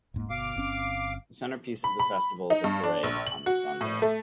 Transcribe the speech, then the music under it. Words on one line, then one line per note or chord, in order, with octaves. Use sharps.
The centrepiece of the festival is a parade on the Sunday.
D#1 G#2 A#3
G1 B2 F5 D6
G1 C4 C#4
B5
B5
D#4
G2
D4
A#1
F#7
F#4
A2
A3